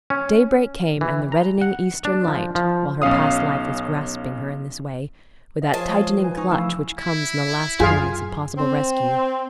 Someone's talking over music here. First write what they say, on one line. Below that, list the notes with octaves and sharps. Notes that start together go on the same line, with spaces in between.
Day break came and the reddening eastern light, while her past life was grasping her in this way, with that tightening clutch which comes in the last moments of possible rescue.
C#4
E3
A#5
F#5
D4
F3
F3
B1 C#4 F5 D#6
D#5 F5 A6
F3 G#4 C#5 F5 A5
G#3 D#5
B4 G#5
D#4 G#5 C#6
C#3 E3 F3 A3 F5 E6
E4
F#2 F4 G#4 F5 G#5
C4